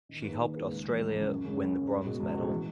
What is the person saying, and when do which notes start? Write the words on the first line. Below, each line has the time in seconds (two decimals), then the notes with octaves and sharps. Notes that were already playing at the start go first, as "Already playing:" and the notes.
She helped Australia win the bronze medal.
0.09 D#3
0.24 A#3 D#4 G#4 B4
0.39 D#3
0.54 A#3 D#4 G#4 B4
0.69 C#2
0.84 C#3 E3
0.99 C#2
1.14 C#3 E3
1.29 F#2
1.44 C#3 G#3 C#4
1.59 F#2
1.74 C#3 G#3 C#4
1.90 C#2
2.05 B2 G#3 B3 F#4
2.20 C#2
2.35 B2 G#3 B3 F#4
2.50 E3